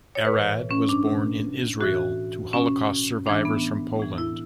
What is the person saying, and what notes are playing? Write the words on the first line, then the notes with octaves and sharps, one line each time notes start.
Arad was born in Israel, to Holocaust survivors from Poland.
C#5
B4
A2 E3
C#4
D4
B2
A2 E3 F#4
B2 C#4
A2 E3 D4
B3
A2 E3
E4